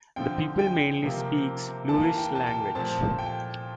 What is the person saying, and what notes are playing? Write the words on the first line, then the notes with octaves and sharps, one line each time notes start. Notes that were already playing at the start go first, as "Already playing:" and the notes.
The people mainly speak Lurish language.
D3 F3 C4 G5
G5
C3 F3 A#3
E3 A#3 A5
G5
A5
G5
A#2 F3 A3 C4 A5
G5